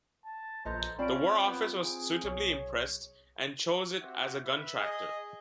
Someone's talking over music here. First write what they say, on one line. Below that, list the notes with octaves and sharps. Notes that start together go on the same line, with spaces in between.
The War Office was suitably impressed and chose it as a gun-tractor.
A5
A#1 A4 B4 C5 D#5 A#5
C4 C#4 F4 D5 A5 B5 D7
B3 G4 C5
G#4
B1 C#5
C4 F#4 G4 E5 F#5
B4 E5
G#4 D#5